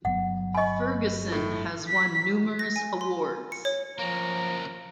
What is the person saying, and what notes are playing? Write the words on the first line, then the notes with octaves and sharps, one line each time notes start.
Ferguson has won numerous awards.
G1 F#3 B3 F#5
D#5 G#5 B5 C#6
A2 F3
B6
A#6
G#5
C6
C#7
C#5
F3 A#3 C#4 A#5